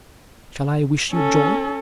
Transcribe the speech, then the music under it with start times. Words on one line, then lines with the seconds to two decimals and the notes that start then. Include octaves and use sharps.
"Shall I wish you joy?"
1.12 C#4 A4